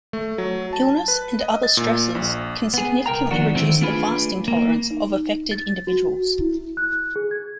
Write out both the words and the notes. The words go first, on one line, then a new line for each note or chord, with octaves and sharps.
Illnesses and other stresses can significantly reduce the fasting tolerance of affected individuals.
A3
F#3
A5
B4
D#5
A6
A#2
A#1
B3 G#4
C2 A#4 G5 A#5
D#3 F3 B3 D4 F#4
D#3 E3 A3 C4
A3 D4 F4 G#4 B4
A#3
D#4
A6
F#4
E4
F#6
G#4
G#6